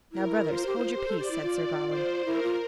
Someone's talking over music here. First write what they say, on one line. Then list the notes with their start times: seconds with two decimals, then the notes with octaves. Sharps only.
"Now, brothers, hold your peace," said Sir Gawain.
0.12 E4 A#4
0.48 F4 C5
0.66 G4
0.78 E4
0.83 F4
0.95 G4
1.07 A4
1.18 G4 D5
1.30 E4
1.42 F4
1.89 C5
2.25 E4 A#4
2.42 F4